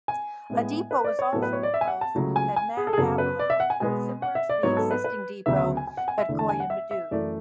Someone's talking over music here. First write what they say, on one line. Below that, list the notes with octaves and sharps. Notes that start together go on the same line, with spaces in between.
A depot is also proposed at Madhavaram similar to the existing depot at Koyambedu.
G#5
A2 G#3 B3
B4
D5
C#5
A2 F#3 B3 A4
B4
C#5
D5
E5
G#5
F#5
A5
C#2 C#3 F#3 A3
G#5
G#5
G#4
A4
G#4
F#2 C#3 F#3 B3 A4
B4
D5
E5
F#5
G#5
B2 G#3 B3 G#5
F#5
E5
D5
G#2 F#3 B3 C#5
A4
B4
B4
D2 C#3 F#3 B3 E5
E5
G#5
G#5
F#5
G#5
E5
E2 D3 A3
A5
G#5
F#5
E5
E5
F#2 E3 A3 D5